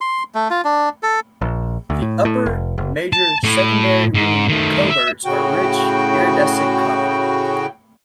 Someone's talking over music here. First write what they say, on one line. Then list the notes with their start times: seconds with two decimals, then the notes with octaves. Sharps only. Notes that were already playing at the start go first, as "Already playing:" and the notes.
The upper, major secondary wing coverts are rich iridescent copper.
0.01 C6
0.35 A3
0.50 F4
0.65 D4
1.03 A4
1.41 A#1
1.90 D2
2.02 A2
2.25 A2
2.46 F1
2.78 F#1
3.13 A5
3.43 A2
4.14 G#2
4.49 D#3 A3
4.90 E5
5.25 A2 C#3 F#4 G5